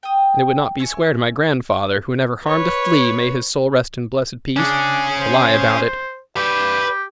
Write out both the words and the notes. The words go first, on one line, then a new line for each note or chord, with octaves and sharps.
And it would not be square to my grandfather, —who never harmed a flea, may his soul rest in blessed peace!—to lie about it.
G5 D#6
E4 G#5 C#6
B4 C#5
C#4 D4 G#4
C5
G4 B4 D5